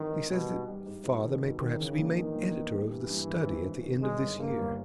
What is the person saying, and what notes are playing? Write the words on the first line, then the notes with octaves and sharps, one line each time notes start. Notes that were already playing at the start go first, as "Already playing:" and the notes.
He says that father may perhaps be made editor of The Study at the end of this year.'
Already playing: G#1 D#3 E3
G#1
B2 G3
G#2
G3
G#2
G#2 B2
D#3
G#2 B2
D#3
C#3 E3
A#1
D#3 E3
A#1
B3
G3
G2 E3
G2
D#3
G#1
G2
D#3
G1 G#3
G1
G2 A#3
G1